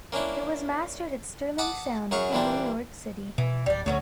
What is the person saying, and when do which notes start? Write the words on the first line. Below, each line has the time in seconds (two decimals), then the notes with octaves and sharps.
It was mastered at Sterling Sound in New York City.
0.12 A#3 C#4 D4 E4
1.58 F#5 A5 B5 D6 D#6
2.11 F#2 F#3 G#4 F5 C#6
2.32 G2 A#2 E3 G3 C4 D4
3.38 B2 E3
3.66 D1 G3 D4
3.86 D2 A2 F#3 A3 C#4